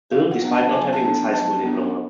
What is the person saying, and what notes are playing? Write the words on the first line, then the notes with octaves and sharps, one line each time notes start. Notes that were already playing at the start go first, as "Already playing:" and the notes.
Bill, despite not having his high school diploma.
F#3 F5
F#5
B3 D4
A5
F#3 G#5
A5
B3 D4
F#3 A5
B3 D4